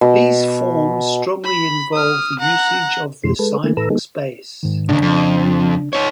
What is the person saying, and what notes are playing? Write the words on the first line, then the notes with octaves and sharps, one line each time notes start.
These forms strongly involve the usage of the signing space.
B2
B5
D#6 F6
F#5 A#5
F2 B2 E3 G#3 C6
G#3 A4 B4
D3 A3 A#3
A2 A4 B4 A#5 E6
G3 A#3 B3 D#4 G#4 A4
G#2 D#3
D#2 A2 C#3 D4
F2
D#4 C#5